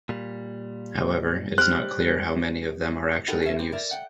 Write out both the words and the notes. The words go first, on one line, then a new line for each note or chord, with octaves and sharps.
However, it is not clear how many of them are actually in use.
A#2 G3
G3 G4 C5 F6 F#6
D#4 F#4 G4 A4 A#4
C#4 E5
G3 C4
A#4 D5 E5
F#5 G5